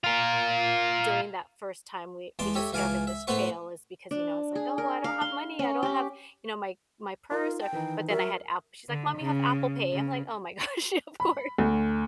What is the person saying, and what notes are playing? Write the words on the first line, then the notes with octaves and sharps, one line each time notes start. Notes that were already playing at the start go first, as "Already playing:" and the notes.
during that first time we we discovered this trail is because, you know, it's, like, "Oh, I don't have money, I don't have" you know, "my my purse, or" but, then I had App she's like, "Mom, you have Apple Pay." I'm like, "Oh my gosh, of course."
F4 A#4
E2 G#3 A5 C6 D6
G4 A4 C#5 D#5 E5
C#2 E3 F5 G#5 A5 D6
E5
A2 B3 A4 B4 C5 C#6
D4
G#4
A#4
F5
C6
C#4
G4
D#4 F4 A#4
G5 A5
D#3 E3 D#4
F#3 F#4 A#4 E5
D3
C#3
C#3
B5
D2